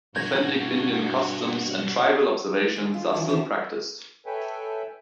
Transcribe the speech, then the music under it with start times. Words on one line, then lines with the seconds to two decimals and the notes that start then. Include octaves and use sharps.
Authentic Indian customs and tribal observations are still practiced.
0.15 G2 B2 F#4 G6 G#6 A#6
2.76 G#3
2.94 F4
3.13 E3 F#3 D4
3.29 C3 E3 C#4 C5
4.26 A4 B4 C#5 E5 G5 G#5